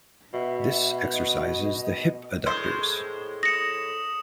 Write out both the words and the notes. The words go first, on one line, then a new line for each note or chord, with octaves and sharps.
This exercises the hip adductors.
B2 E5
D#5
A2 G#3 C5
D#6 A#6 C#7 E7